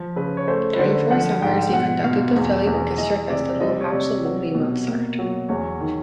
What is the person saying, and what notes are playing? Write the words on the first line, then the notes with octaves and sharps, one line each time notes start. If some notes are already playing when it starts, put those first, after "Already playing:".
During four summers, he conducted the Philly Orchestra Festival "Absolutely Mozart".
Already playing: F3
C#3 B4
C#5
A3 C5
B4
D3 C5
F3 F#5
G#2 G5
B2 F#5
B2 F5
E2
E2
E3 D#5
C3 D5
G3 D#5
D5
C#5
C3 D5
F#3
B2
A#3
F#3
E2 C#5
D#3